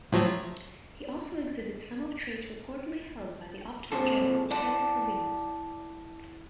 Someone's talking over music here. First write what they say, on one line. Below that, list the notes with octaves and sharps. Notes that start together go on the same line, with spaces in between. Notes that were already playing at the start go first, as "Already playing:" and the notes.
He also exhibits some of traits reportedly held by the Optimate general Titus Labienus.
A2 F3 F#3
A#2 C#3 C4 F#4 G#4 A4
E4 D5 F#5 A5